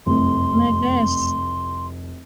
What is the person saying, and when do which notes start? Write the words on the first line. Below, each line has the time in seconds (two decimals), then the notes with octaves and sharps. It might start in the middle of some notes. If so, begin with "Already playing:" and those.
Oh my gosh.
0.06 F1 C2 F#2 A3 C6